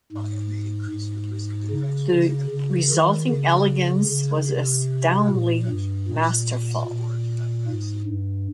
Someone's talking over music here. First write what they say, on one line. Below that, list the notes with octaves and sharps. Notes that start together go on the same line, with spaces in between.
The resulting elegance was astoundingly masterful.
G#2
G#2
C#3
C#3
C#3
D#3
C#3
C#3
C3
A#2
G2
A#2
A#2
G#2
G2